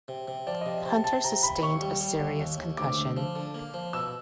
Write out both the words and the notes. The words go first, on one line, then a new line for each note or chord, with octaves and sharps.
Hunter sustained a serious concussion.
C3
C3
F3 D5
C3 D#5
C3 A5
C3 A5
C3 A#5
C3 B5
D#2 C#6
G3
G3
D#2
D#2
D#2
D2 D6
D2
F3
D3
A#3
F3
B2 E6